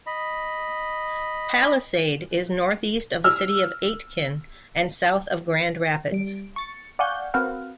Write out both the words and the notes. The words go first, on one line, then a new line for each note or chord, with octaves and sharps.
Palisade is northeast of the city of Aitkin and south of Grand Rapids.
D#5 B5
E6 F6
G3 D7
C#6 A6 C#7
D5 F5 F#5 G#5 C#6 G6
C4 F#4 A#4 B4 F5 F#5